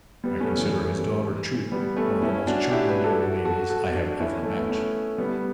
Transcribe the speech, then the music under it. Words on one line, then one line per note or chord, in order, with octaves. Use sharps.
I consider his daughter, too, one of the most charming young ladies I have ever met.
G3 B3
A3 C#4
E3 G3
G3 B3
A3 C#4
C#4 E4
D4 F#4
E4 G4
G4 B4
F#4 A4
F#4 A4
F#4 A4
F#4 A4
D4 F#4
C#4 E4
A3
B3
A3 C#4
G3 B3